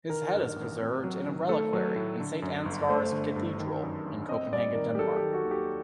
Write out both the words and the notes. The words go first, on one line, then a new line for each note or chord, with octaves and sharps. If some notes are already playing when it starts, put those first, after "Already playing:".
His head is preserved in a reliquary in Saint Ansgar's Cathedral in Copenhagen, Denmark.
D#3 A#4
G2
A1
C4
F#3
D#3
A3 A4
F#3
A2
D3
F#2
G1
A3 C5
D3
G2
D#3
F#2
G1
C4 D#5
G3 D5
D#3 A#4
G4
F#3 A4
G4
D#3
F#4
D#2
G4